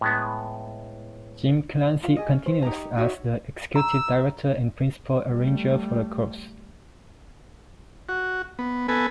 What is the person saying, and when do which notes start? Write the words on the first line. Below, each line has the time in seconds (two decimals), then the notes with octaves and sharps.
Jim Clancy continues as the Executive Director and principal arranger for the chorus.
0.01 A2 G#3 B3
2.03 F4
2.16 G4 G#4 D#5
2.30 C#4
2.46 C5
2.63 D#4 G4 A#5
2.96 D#4 F#4 C#5 E5
3.76 A#5 E6
5.28 G3 A3
8.09 F#4
8.59 B3
8.88 B3 A4 B4 G#5